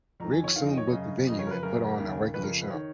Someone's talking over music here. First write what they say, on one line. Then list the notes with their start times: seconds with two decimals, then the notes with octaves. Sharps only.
Riggs soon booked a venue and put on a regular show.
0.20 F2 A#5
0.24 D#3
0.32 G#5
0.44 C#5
0.56 F2 D#3 F5
0.66 D#5
0.77 C#5
0.87 F#2 C#3 D#5
1.27 F2 C#3 D#5
1.39 C#5
1.47 A#4
1.51 B4
1.63 F#2 C#3 A#4
1.98 D#2 C#3
2.34 F2 C#3 B4
2.43 A#4
2.62 B4
2.70 D#3 C#5